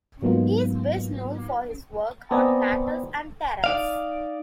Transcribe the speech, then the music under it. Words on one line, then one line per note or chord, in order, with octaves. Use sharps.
He is best known for his work on Plautus and Terence.
G#2 F#3 A#3 B3 D#4 F4
B3 C4 D5 D#5 G#5 A#5
D#4 D5 F5